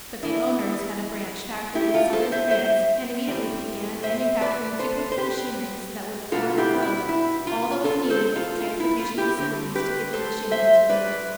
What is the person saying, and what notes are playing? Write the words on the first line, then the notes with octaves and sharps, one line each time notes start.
But the owners had a branch factory in southern France and immediately began manufacturing duplicate machinery so that when the war closed all that was needed was the transportation facilities to get the machinery to Lille.
E3 B3 D4 E4
E4 G4
F4 A4
A4 C5
C5 E5
C5 E5
A2 E3 G3 C4
C5 E5
B4 D5
A4 C5
C5
G4 B4
B2 G3 B3 D4 F4 A4
E4 G4
E4
E4
F4
F4 A4
A4 C5
F4 A4
F4
E4
F4
E4 G4
D3 A3 C4
G4 B4
A4 C5
C5 E5
B4 D5